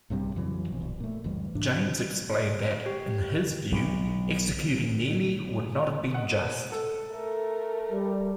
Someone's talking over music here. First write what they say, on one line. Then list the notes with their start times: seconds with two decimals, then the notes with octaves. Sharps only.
James explained that, in his view, executing Neelley would not have been just.
0.10 A#1 G2 C3 G3
0.36 F2 C#3 E3 F#3
0.72 A#1 B2
1.00 A#2 A3
1.24 F#1 C#2 E3 G3
1.55 G#2 B2 D4
2.86 G4
3.72 B1
6.14 D#5 F#5
6.72 A4
7.10 A3 A#4
7.92 G3